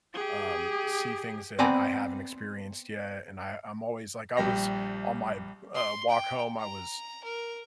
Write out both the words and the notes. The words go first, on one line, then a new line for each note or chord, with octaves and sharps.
um, see things that I haven't experienced yet, and I I'm always like I was, on my, uh, walk home, I was,
G4 G#4
B3 C4 D5 G#5 A#5 B5
A#1 G3 G5 A#6
C6
G5
A#5
A#4